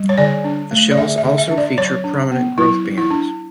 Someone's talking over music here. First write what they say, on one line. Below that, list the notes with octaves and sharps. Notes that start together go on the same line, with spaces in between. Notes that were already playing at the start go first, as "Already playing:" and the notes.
The shells also feature prominent growth bands.
Already playing: G3
C#5
D3 D5
D4
A3
D5
D3 E5
E5
D3
E5
D4
D5
F#3 C#5
D4
B3
F#3 E4
F#3
E4
D4